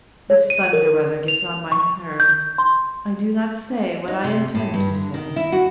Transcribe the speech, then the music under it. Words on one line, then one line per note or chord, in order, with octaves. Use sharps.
"This thunder weather gets on my nerves; I do not say what I intend to say."
C#5
D#7
A#4
F7
C#6
G6
C6
D#4
C3
A2
G2
D3
D#3
E4
F#4